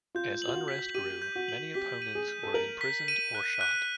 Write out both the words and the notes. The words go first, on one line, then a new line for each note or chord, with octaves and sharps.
As unrest grew, many opponents were imprisoned or shot.
F4 G6
F#7
F4
F#4
B6
G4 D#7
G6
F#4
F#7
G4 B6
D#7
G#4
G6
A4
A#4 F#7
B6
D#7
F#6
F#6